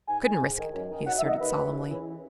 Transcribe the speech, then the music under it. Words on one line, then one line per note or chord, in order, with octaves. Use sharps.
"Couldn't risk it," he asserted solemnly.
G#2 G#5
D#3
G#2
D#3
F#2
D#3
F#2 F#5
E5
D#3 D#5
D#2 B4
C#3 E3
D#2
C#3 E3